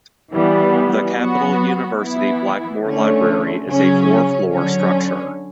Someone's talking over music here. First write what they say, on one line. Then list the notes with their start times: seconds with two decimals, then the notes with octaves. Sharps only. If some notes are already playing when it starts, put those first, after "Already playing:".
The Capital University Blackmore Library is a four-floor structure.
0.32 E3 G3 B3
1.16 F#3 B3 F#4
1.99 E3 B3 E4
2.83 D3 A3 C#4
3.68 C#3 F#3 C#4
4.52 D3 F#3 C#4